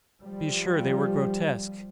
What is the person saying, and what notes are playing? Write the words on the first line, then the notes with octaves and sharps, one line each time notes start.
Be sure they were grotesque.
F3 G3